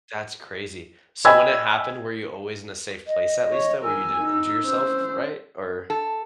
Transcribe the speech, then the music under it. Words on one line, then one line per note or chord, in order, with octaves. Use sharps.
That's crazy, so when it happened, were you always in a safe place, at least, though, where you didn't injure yourself f f right, or
D#5 G5 G#5 B5 E6 G#6
D#5
C#5
A#4 G#5 E6
D#4
C#4 C5
A4